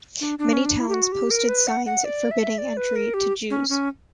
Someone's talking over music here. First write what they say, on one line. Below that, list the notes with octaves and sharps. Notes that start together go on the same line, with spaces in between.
Many towns posted signs forbidding entry to Jews.
D4
D4
C#4
D4
E4
G4
F#4
G4
A#4
B4
F#5
F#5
D5
E5
D5
B4
A#4
G4
C#4
C#4